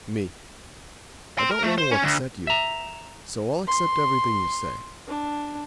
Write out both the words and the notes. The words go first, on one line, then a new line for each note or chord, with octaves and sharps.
ME: I don't want to upset you, so I'll accept everything you say.
G5 C6
A#4
A3
C5
C#4
D2
E5 A#5
C6
D4